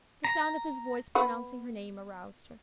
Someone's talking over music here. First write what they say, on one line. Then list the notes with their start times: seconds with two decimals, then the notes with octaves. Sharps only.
The sound of his voice pronouncing her name aroused her.
0.24 A#5
1.15 B3 B4 F#5